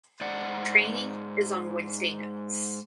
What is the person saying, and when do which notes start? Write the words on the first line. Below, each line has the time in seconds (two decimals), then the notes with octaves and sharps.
Training is on Wednesday nights.
0.21 G#2 D5 F#5